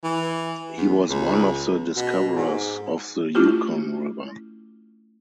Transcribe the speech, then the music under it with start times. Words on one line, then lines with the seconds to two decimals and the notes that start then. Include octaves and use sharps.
He was one of the discoverers of the Yukon River.
0.04 E3
0.77 E2
1.09 C#2
1.97 B2
2.36 G#2
3.35 A3 C#4 D4 E4 F4 G4